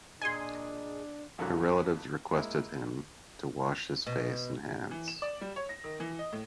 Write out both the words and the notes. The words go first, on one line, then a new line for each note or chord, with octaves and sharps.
Her relatives requested him to wash his face and hands.
A#2 D4 G#4 D#5 G#5 C6
C2 F2 A#2 D3 F#3 F#6
G#3 A#3 E4
B2
E3
E7
D5
G3
C#5
A#6
D#3
E3
D#5
A2